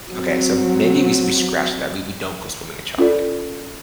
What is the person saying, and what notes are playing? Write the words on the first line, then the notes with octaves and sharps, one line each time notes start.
Okay, so m maybe we s we scratch that. We we don't go swimming in chocolate.
F#3 C4
C#4 F4 A4 D5